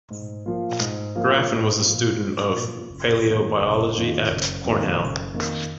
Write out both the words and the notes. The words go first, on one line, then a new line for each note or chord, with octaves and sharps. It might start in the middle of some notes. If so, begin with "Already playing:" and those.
Graffin was a student of paleobiology at Cornell.
G#2
F3 A#3 F4
G#2
F3 A#3 F4
G#2
F3 A#3 F4
G#2
F3 A#3 F4
F#1
F2 D#3 A#3
F#1
F2 D#3 A#3
F#1
F2 D#3 A#3
F#1
F2 D#3 A#3